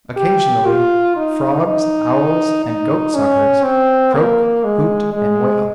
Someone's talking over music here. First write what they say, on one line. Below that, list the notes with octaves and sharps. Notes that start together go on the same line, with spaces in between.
Occasionally frogs, owls, and goat-suckers croak, hoot, and wail.
G4
F4
D#4
D#4
D#4
C#4
C4
A#3
G#3
G#3